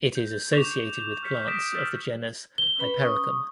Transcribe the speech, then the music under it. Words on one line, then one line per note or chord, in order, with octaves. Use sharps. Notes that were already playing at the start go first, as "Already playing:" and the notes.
It is associated with plants of the genus "Hypericum".
G6
C#6 D6 G6 E7 F7
F6 G6 B6 C#7 F7
D#6 A#6 B6 D7 E7
E6 F6 A6 B6
G7
C#4 B4 B5
C#6 D#6